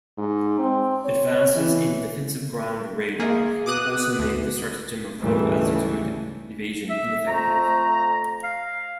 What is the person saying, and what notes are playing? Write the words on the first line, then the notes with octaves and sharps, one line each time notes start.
Advances in defensive ground radar also made the stratagem of low-altitude evasion ineffective.
G#2
C4
C#5
E3
A#3 G#4
B2 D6 D#6 F#6
D2
D2 G#2 C#3 E3 G3 A3
E5
F2 A3 A#5
F5